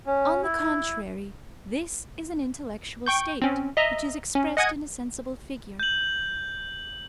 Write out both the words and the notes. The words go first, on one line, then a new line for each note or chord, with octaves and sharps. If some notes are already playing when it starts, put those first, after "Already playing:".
On the contrary, this is an intellectual state which is expressed in a sensible figure.
C#4
E4
G5 C#6 G6
C4 C#4
D#5 E5 A#5
C#4
D#5 F#5 G#5 D#6 G#6 C#7
G6 F#7